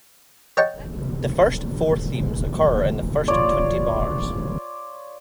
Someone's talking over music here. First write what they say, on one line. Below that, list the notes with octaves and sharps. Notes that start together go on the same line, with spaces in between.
The first four themes occur in the first twenty bars.
C#5 D#5 F#5 G5 A5 C#6
F4 C#5 D5